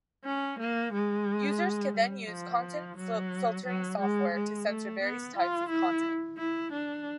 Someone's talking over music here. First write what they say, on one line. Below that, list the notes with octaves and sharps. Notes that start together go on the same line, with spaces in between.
Users could then use content filtering software to censor various types of content.
C#4
A#3
G#3
G3
F3
F#3
F#3
G#3
G#3
A3
B3
F4
E4
E4
D4